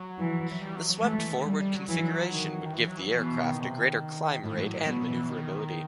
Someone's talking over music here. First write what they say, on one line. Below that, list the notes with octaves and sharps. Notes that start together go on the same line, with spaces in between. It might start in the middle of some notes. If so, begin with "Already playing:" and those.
The swept-forward configuration would give the aircraft a greater climb rate and maneuverability.
Already playing: F#3
E3
F#3
G3
F#3
F#3
E3 A3
E3
D#3
G3
G3
F#3
E3 F#3
D#3
D#3
E3
F#3
E3
F#3
B2 E3
D#3
C3
D#3
A2 D#3
E3
F#3
B2 F#3
F#3
E3
D#3